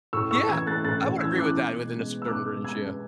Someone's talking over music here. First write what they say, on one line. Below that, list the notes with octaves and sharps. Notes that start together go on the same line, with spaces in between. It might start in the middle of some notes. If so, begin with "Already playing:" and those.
Yeah. I would agree with that within a certain range. Yeah.
A2 C#6 E6
A2 C#6 E6
E3 E6 G#6
A3 F#6 A6
A2 F#6 A6
A2
E3 E6 G#6
A3 D6 F#6
B2
B2
G#3
B3
E6
B2 D6 F#6
B2
G#3 E6 G#6
B3